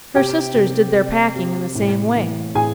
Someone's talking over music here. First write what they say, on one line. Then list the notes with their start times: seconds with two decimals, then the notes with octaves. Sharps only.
Her sisters did their packing in the same way.
0.15 C3 G4 G5
0.55 C3
0.95 C3
1.36 C3
1.75 A2
2.15 E3
2.55 A2 G#4 G#5